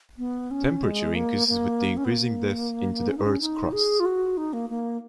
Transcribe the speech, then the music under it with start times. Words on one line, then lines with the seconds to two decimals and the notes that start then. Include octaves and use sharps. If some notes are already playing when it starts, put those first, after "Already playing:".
Temperature increases with increasing depth into the Earth's crust.
0.18 B3
0.51 C#4
0.83 G#3
1.15 A#3
1.48 A#3
1.97 C#4
2.04 B3
2.11 A#3
3.09 C#4
3.17 D#4
3.26 C#4
3.41 D#4
3.72 G#4
4.00 F4
4.05 F#4
4.37 D#4
4.53 A#3
4.70 A#3